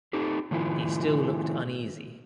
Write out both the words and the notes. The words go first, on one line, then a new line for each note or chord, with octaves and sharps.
He still looked uneasy.
D#4 G4 A4
A2 D#3 F3 E4